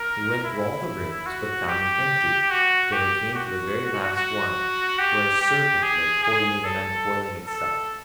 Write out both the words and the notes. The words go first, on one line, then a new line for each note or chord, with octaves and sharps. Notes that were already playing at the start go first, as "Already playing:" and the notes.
He went through all the rooms, but found them empty, till he came to the very last one, where a Serpent lay coiling and uncoiling itself.
Already playing: A#4
E4
F#4
G4
F#4
G4
F#4
F#4
G4
G4
G#4
G#4
A4
A4